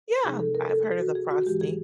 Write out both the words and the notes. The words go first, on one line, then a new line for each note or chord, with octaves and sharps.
Yeah, I've heard of the frosty.
C3 F3 G#3 C4 D#4 G#4
A4
A#4
A4
G#4
F#4
G#4
F#4
G#2 E3 G#3 G4
G#4